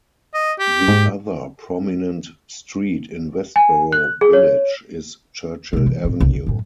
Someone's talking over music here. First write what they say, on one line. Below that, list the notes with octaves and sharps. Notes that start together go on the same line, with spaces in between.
The other prominent street in Westboro Village is Churchill Avenue.
D#5
G4
G#2
G#5
F#6
G#4
C#5
C3 G#3
E3
A2 C4
C2 C#3
D#2
F#2 A2